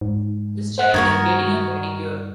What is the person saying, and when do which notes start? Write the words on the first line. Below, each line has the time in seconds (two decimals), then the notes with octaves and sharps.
This child is getting a pedicure.
0.01 G#2
0.78 C5 F#5 F#6
0.94 G2 D#3 F#4 A#4 D#6 G#6